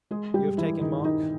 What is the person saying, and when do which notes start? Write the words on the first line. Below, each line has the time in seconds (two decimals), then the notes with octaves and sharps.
"You have taken Monk?"
0.11 G#3 G#4
0.34 G3 G4
0.58 E3 E4
0.81 D#3 D#4
1.05 D#3 D#4